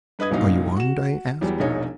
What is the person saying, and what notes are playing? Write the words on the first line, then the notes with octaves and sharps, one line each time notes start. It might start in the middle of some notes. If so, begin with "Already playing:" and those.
"Are you armed?" I asked.
G2 B4 D#5 D#6 G#6
C2 G2 A#2 F#3 D#4 F5
F#4 E7
E2 F#3 G3
E1 A#1 D#4 C#5